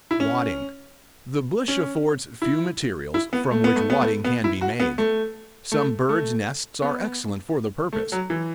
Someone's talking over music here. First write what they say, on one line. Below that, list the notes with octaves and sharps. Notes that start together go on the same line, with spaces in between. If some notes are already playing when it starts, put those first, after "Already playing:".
Wadding.--The bush affords few materials from which wadding can be made; some birds' nests are excellent for the purpose.
E4
C#4
C#4
E4
E4
B3
A3
B3
A3
B3
A3
B3
E4
F#4
B3
A3
A3
A3
B3
A3
F#3
E3